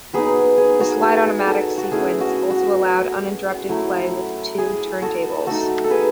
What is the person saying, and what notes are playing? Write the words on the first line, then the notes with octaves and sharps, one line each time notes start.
The slide-automatic sequence also allowed uninterrupted play with two turntables.
F#3 B3 D#4 G#4 B4
G#4
F#4
G#4
F#4 A4
F#4
A3 C#4 E4 G#4
F#4
F#4
F#3 A3 E4
G#4
F#4 A4
A3 D#4 F#4 A4
A4
G#4 B4